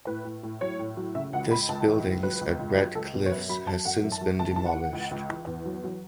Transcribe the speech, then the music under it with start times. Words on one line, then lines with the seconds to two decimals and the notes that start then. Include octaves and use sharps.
This buildings at "Red Cliffs" has since been demolished.
0.07 A2 B4
0.25 A2
0.43 A2
0.61 F#3 C#5
0.79 A2
0.97 F#3
1.15 C#3 E5
1.33 C#2 F#5
1.51 C#2 B5
1.69 C#2 A5
1.87 E3
2.05 C#2
2.23 F#3 B4
2.41 C#2
2.59 C#2
2.77 F#3 B4
2.95 C#2 A4
3.13 B2
3.26 C#5
3.31 F#2 B4
3.49 F#3 B5
3.67 F#3 A5
3.85 F#2 F#5
4.04 F#2
4.12 A5
4.21 F#3
4.39 C#2 A5
4.56 E3 A5
4.66 F#5
4.75 E3
4.93 C#2
5.11 C#2
5.29 E3
5.47 E2
5.65 F#3
5.84 F#3